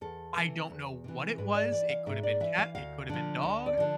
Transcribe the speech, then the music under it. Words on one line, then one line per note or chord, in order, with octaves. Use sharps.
I don't know what it was, it could've been cat, it could've been dog,
E2 A4
C3 E3
E2
C3 E3
G#2 B4
D5
E3 D5
F5
G#2 E5
D5
E3 E5
F5
D2 F5
D3 F3
D2
D5
D3 F3